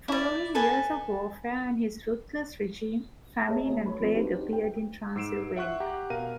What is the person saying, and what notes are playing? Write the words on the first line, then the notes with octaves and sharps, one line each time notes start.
Following years of warfare and his ruthless regime, famine and plague appeared in Transylvania.
E4 D5
A4 B4 G#5 A5
G#4 C#5 D#5 E5 A5 A#5
D2
C#5 B5
G#1 F3 B3
C4 D4 D#4 F#4 G4 B4
G5
G#2 E6 C7 D7 E7
E5 F#5 C#6 F#6
G4 F#5 A#5
B2 A#4 F5 D#7